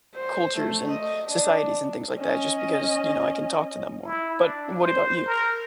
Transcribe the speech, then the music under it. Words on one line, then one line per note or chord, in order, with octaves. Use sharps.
cultures and societies and things like that, just because, you know, I can talk to them more. But what about you?
C5
A3
D#5
D4
C#4 D#5
E4
D4
C5
A#4